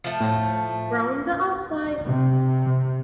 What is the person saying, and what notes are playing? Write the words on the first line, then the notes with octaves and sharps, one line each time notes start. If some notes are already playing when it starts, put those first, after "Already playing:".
Round the Outside!
F3 A3
A2
C3